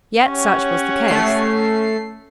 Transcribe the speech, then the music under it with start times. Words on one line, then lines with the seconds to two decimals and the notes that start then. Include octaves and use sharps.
Yet such was the case.
0.25 C#4 G4 C#5 F#5
1.08 A3 C7